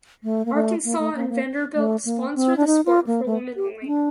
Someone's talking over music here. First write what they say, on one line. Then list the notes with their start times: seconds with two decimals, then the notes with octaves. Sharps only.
Arkansas and Vanderbilt sponsor the sport for women only.
0.23 A3
0.45 A#3
0.54 A3
0.85 A#3
0.99 A3
1.15 A#3
1.29 A#3
1.75 A3
2.05 A#3
2.35 C4
2.57 D4
2.67 D#4
2.86 F4
3.07 A#3
3.26 A3
3.56 G4
3.82 C4
3.87 D4